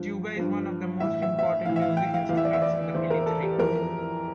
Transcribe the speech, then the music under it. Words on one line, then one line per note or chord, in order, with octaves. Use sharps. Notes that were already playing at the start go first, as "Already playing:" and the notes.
Tuba is one of the most important music instruments in the military.
Already playing: G2 F3
G2 F3
A2 E3 E5
E5
E5
F5
A2 E3 F5
E5
F5
G5
F5
E2 E3 E5 F5
D5
E5
D5
E2 E3 C5
A#4
A4
G4
F2 E3 A#4